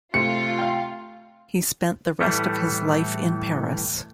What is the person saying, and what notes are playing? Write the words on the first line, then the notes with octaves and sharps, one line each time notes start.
He spent the rest of his life in Paris.
C3 A3 F4 C#7
F5 G5
A2 E3 G3 A3